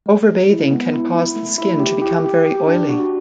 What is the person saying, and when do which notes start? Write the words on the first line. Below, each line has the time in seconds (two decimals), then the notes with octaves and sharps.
Over-bathing can cause the skin to become very oily.
0.06 G#3
0.29 G#3
0.50 E4
0.71 B3
0.94 E4
1.15 E4
1.36 A3
1.58 E4
1.80 G4
2.02 G4
2.24 G4
2.46 G4
2.67 D4
2.89 F#4